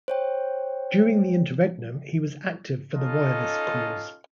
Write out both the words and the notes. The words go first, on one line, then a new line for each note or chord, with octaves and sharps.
During the Interregnum, he was active for the Royalist cause.
C5 C#5 G5
C#4 D#4 F4 A4 D#5